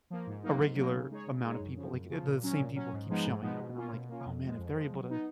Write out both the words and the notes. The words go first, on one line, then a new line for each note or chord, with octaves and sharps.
a regular amount of people, like, i the same people keep showing up, and I'm like, "Oh, man. If they're able to
F3 A#3
G#2
F#3 A#3 D#4
G#2
F#3 A#3 D#4
C#3
G#3 D#4 G#4 C#5
C#3
G#3 D#4 G#4 C#5
F#2
C#3 F3
F#2
C#3 F3
A#2
F#3 C#4
A#2
F#3 C#4
G#2
F3 G#3 B3 D#4
G#2
F3 G#3 B3 D#4
B2
A#3 C#4 F4
B2
A#3 C#4 F4
F2
F3 G#3
F2
F3 G#3
F#3
B3 D#4